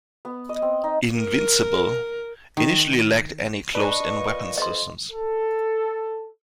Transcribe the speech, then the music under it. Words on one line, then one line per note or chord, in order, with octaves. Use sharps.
"Invincible" initially lacked any close-in weapon systems.
B3
D#5
C4
D#4
A#4
D#3
D4 B4 D#5 C#6
A#2
F2 D#5 C6
A4